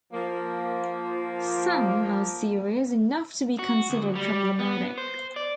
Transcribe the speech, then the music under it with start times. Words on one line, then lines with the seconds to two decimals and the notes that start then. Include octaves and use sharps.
Some are serious enough to be considered problematic.
0.13 F3 A#3
3.59 F#4
3.90 D2
4.15 G3
4.59 B3
4.98 C5
5.36 D5